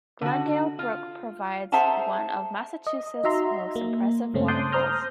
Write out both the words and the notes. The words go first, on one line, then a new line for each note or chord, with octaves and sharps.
Glendale Brook provides one of Massachusetts' most impressive waterfalls.
D3 F#4
F4
G#4 C5 E5 F#5 A5 A#5
D#5
D#4 F#4 E5 A#5 C6
A#3
G2 C#3 A3 C4 C#4
A5 C6 D6 D#6 F#6 G6
C5 A#5 D#6 F6 G6 A#6